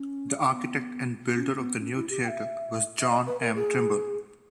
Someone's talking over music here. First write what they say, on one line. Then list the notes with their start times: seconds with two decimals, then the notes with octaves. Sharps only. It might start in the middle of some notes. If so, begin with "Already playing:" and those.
The architect and builder of the new theatre was John M. Trimble.
Already playing: C#4
0.50 B3
1.36 C#4
1.58 B3
1.80 C#4
1.95 E4
2.10 G4
2.24 G5
2.28 E5
3.00 E5
3.11 D#5
3.27 B4
3.40 A#4
3.55 G#4